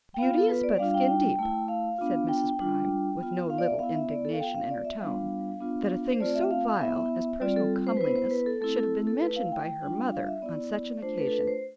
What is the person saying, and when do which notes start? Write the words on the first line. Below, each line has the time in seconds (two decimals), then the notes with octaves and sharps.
"Beauty is but skin deep," said Mrs. Prime, with no little indignation in her tone, that a thing so vile as personal comeliness should have been mentioned by her mother on such an occasion.
0.14 G5
0.18 B3 F4 F5
0.38 A4
0.49 B4
0.63 D5
0.78 G3 D4 F4 F5
0.88 F5
0.94 G5
1.08 G5
1.39 A3 E4
1.68 F5
1.98 B3 D4 F4
2.29 G5
2.59 G3 D4 F4
3.20 B3 F4
3.50 F5
3.58 D5
3.65 E5
3.79 B3 E4 F5
3.95 E5
4.10 D5
4.25 A4
4.33 F5
4.40 B3 F4 G5
4.55 F5
4.70 D5
4.85 E5
5.00 G3 B3 D4 F4 F5
5.60 B3 D4 F4
6.12 C5
6.20 A3 C4 F4 D5
6.35 E5
6.51 F5
6.80 B3 E4 E5
7.40 G3 C4 F4 D5
7.56 A4
7.87 C5
7.97 B4
8.01 B3 E4 C5
8.16 C5
8.31 B4
8.46 A4
8.61 A3 C4 E4 A4
8.77 A4
9.07 A4
9.21 A3 E4 B4
9.36 F5
9.52 G5
9.82 G3 D4 F4
10.12 F5
10.27 E5
10.42 B3 E4 D5
11.02 A3 D4 F4 C5
11.18 B4
11.27 A4
11.33 B4
11.47 C5